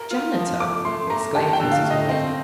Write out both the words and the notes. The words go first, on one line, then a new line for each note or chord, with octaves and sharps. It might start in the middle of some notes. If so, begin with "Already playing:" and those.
"Janitor!" exclaimed Mrs. White.
Already playing: A#4
F4
F3
A3 D6
A3 C6
A3 A#5
G4 A5
A5
G5
D3
F5
A3
D#5
C4 D#5